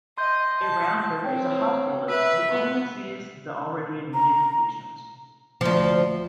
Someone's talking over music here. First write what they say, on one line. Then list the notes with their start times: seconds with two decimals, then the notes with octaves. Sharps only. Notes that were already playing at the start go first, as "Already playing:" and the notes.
A rounder is a hospitalist who only sees the already admitted patients.
0.18 D#5 C6 G6
0.60 A5
1.24 C4 C#5 G5
2.08 B4 E5 E6 B6
2.51 B3
4.14 A#5
5.61 D2 F3